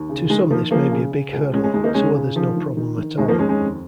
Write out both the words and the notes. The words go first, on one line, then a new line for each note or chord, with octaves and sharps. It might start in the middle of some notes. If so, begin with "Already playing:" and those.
To some this may be a big hurdle, to others no problem at all.
Already playing: D#2
C#3
D#3 G#3
D#3 F3 A#3
C#3 F3 A#3
C#3
C#3
C#2
C#3 G#3 C#4
G#3 C#4
D#2 G#3
A#3 D#4
C#3 G#3 C#4
C#3
D#3 F3
D#3
D#3
D#3
D#2 G#3
F3 A#3
D#2 G#3 C#4
G#3 C#4
F2